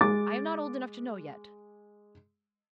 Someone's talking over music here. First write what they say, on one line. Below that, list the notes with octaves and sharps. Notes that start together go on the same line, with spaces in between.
"I am not old enough to know yet."
G#3 D6 A6